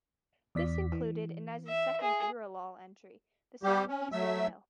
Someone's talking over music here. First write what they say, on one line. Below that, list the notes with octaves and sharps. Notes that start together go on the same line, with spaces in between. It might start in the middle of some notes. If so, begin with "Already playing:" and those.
This included Ines' second "Eurolaul" entry, the song "Iseendale".
E2 D5 B6
E3
E5
G#4
G3 G4
C#4
F#3 A3 E5 E6